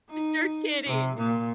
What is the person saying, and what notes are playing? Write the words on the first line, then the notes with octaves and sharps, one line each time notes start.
You're kidding.
D#4
C3
A#2